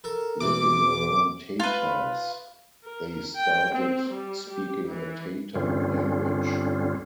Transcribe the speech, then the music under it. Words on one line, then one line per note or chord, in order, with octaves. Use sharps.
Living around Tatars, they started speaking a Tatar language.
A4 A#4
B2 E3 D6
F4 B4
A#4
G5
C4
G3
G4
E3
G2 D3 G3 C4 C#4 F4